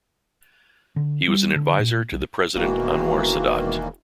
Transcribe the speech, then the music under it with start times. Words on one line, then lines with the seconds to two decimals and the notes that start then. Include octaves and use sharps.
He was an adviser to the President Anwar Sadat.
0.96 D3
1.28 G3
1.56 D3
1.79 A#2
2.12 B1
2.55 E1 D#3 E3 A#3 F#4